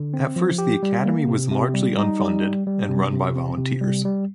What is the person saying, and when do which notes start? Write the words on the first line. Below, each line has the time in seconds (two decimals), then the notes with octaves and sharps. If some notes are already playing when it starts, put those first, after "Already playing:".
At first the Academy was largely unfunded and run by volunteers.
Already playing: D3
0.14 C4
0.36 F3
0.58 G4
0.83 G3
1.05 A#3
1.27 C3
1.51 C3
1.74 G3
1.98 D#4
2.20 G3
2.43 G3
2.67 G3
2.89 C3
3.13 C3
3.36 C4
3.58 C3
3.81 G3
4.05 G3